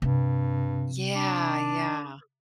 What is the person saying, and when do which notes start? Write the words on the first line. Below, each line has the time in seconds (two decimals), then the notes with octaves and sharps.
Yeah, yeah.
0.02 G2 C3
1.16 D4